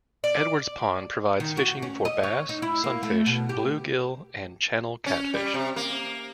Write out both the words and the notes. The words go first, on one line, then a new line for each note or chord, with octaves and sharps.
Edwards Pond provides fishing for bass, sunfish, bluegill and channel catfish.
D5
D#3
F#4
C#4
D#5
C#5
D#4
E4
A#3
A3
B2
G4
C#4
G3
C3
A#3